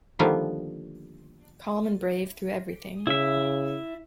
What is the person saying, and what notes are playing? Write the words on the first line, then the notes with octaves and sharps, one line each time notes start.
Calm and brave through everything.
D3 D#3 F3 G3 A#3 B3
C#3 E4 E5